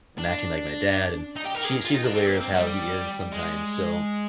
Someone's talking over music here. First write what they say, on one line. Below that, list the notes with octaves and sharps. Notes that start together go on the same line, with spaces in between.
I'm acting like my dad and she she's aware of how he is sometimes, so
D4
D#4
G4
A#4
G#4
F4
D#4
D4
C4
A#3
C4
G3
G#3